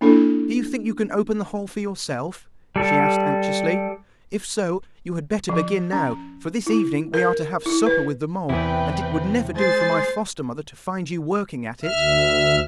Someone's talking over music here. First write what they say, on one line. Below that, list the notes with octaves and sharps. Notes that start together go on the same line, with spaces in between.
Do you think you can open the hole for yourself?' she asked anxiously. 'If so, you had better begin now, for this evening we are to have supper with the mole, and it would never do for my foster-mother to find you working at it.'
A#3 D4 E4 A4
G3 A4
F3
C#4
E4
A#4
E4
B4
E2 C3 E4 B4 G5
G#3 C5 A6 C7
D2 E5 F6